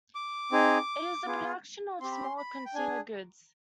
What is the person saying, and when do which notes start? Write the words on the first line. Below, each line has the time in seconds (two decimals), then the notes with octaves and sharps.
It is the production of small consumer goods.
0.15 D6
0.52 C4 D#4 G#4
1.26 B3 F4 G#4
2.01 C4 G4 C6
2.12 B5
2.23 C6
2.38 B5
2.66 G5
2.74 D4 G#4 G#5